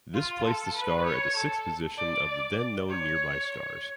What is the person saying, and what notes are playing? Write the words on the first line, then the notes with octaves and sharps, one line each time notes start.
This placed the star at the sixth position of the then-known nearby stars.
F4
A4
B4
C#5
A4
D5
D5
C#5